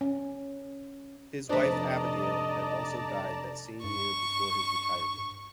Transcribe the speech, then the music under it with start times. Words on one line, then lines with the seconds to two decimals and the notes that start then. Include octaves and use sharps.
His wife Abigail had also died that same year before his retirement.
0.01 C#4
1.49 F1 D4 B4 C5 D5 D#5 A5 A#5
3.84 G2 C#6